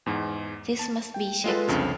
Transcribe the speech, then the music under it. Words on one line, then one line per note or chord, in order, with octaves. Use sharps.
This must be checked.
E2 G#2
A5
G5
G#3 F4 A4 B4
C2 F2 C#3 D4